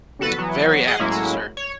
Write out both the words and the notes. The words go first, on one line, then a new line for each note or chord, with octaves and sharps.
Very apt, sir.
G1 C2 F#4 A4 B4 A5
E3 F#3 B3
G#4 D#5 F5 F#5
A2 F#3 G#3 A#3 C#4 E4
C#5